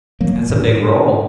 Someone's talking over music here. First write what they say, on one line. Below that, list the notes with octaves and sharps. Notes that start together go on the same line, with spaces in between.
That's a big role.
F#3 A#3
A2